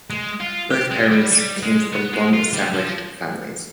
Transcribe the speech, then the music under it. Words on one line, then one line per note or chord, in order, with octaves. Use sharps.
Both parents came from long established families.
G#3
F4
G4
G#3
G3
G3
G#3
B3
G#3
F4
G3
F3